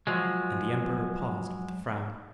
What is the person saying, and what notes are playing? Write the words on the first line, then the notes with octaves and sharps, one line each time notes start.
And the Emperor paused, with a frown.
F3 F#3 G#3